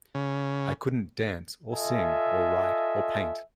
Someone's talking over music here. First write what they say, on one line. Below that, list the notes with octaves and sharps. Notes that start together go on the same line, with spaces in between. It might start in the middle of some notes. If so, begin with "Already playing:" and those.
I couldn't dance or sing or write or paint.
C#3
F4 A4 D#5 E5 G#5